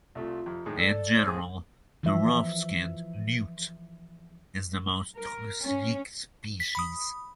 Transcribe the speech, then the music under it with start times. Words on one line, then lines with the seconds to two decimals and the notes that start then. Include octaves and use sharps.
In general, the rough-skinned newt is the most toxic species.
0.15 C2 A3 F4
0.46 F2 C3
0.66 A2 D#3 G#3
0.79 A4 D5
1.23 A2 C4 G#4
2.03 E3 F3 E5
5.18 A#4
5.61 C#4
6.60 B6
6.75 B5 D#6